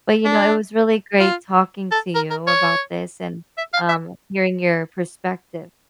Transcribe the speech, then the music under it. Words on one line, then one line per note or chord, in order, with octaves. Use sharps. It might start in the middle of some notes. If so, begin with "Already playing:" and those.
But, you know, it was really great talking to you about this and, um, hearing your perspective.
D4
F4
A4
A#4
A#4
C#5
E5
F5
E5